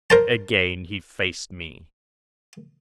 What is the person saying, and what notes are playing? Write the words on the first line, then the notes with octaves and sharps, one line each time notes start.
Again he faced me.
A#4 C5 A5